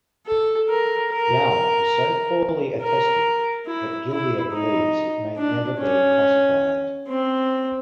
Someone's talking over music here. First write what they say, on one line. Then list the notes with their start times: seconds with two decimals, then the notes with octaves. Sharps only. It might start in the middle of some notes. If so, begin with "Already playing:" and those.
Yao is so poorly attested that Gildea believes it may never be classified.
0.27 A4
0.69 A#4
1.12 A#4
2.82 A#4
3.67 E4
4.10 E4
4.52 D#4
5.38 D4
5.80 C#4
7.08 C4